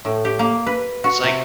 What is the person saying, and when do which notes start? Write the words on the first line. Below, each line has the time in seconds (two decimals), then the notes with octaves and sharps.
It's like, eh,
0.05 A2
0.25 G4
0.39 A#3
0.67 B4
1.04 F#4
1.24 C3